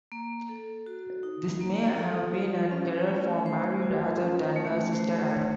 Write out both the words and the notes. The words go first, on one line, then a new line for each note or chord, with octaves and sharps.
This may have been an error for Mary, rather than her sister Anne.
A#3
A4
F#4
D#4
A#3
A4
F4
C#4
A3
C5
F4
C#4
A3
C5
C#5